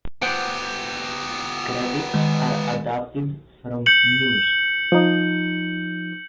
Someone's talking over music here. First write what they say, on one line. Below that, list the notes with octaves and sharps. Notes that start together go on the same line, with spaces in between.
Credits are adapted from Muze.
B3 G4 C5 F#5 G5
D#3 G#3
G6 C#7 F#7
F3 D#4